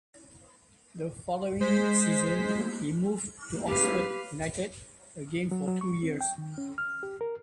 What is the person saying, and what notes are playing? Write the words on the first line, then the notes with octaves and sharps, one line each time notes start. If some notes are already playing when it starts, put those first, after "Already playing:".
The following season, he moved to Oxford United - again for two years.
G#3 C5 B6
G4 B4 F5
F#3
F#3
C#6
C4
G5
D#3
C#4
F6
G4
A#4